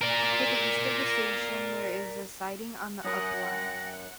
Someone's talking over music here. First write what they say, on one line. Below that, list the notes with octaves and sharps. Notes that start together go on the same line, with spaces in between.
To the east of the station there is a siding on the Up line.
A#4 D5
F#2 A#4 F#5 D#6 A#6
G5